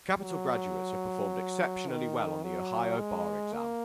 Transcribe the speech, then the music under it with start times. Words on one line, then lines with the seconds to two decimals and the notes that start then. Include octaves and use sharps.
Capital graduates have performed exceptionally well on the Ohio bar exam.
0.22 F#3
1.88 D#3
2.43 F#3
2.98 G#3
3.53 A#3